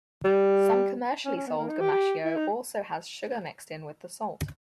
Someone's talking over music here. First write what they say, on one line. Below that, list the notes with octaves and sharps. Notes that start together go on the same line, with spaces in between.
Some commercially sold gomashio also has sugar mixed in with the salt.
G3
C#4
C#4
B3
A#3
D#4
G4
G4
E4
D#4